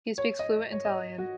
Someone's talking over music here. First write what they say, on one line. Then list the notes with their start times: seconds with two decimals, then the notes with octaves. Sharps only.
He speaks fluent Italian.
0.18 C#5
0.39 D#5
0.72 C#5
0.85 D#5
1.18 F#4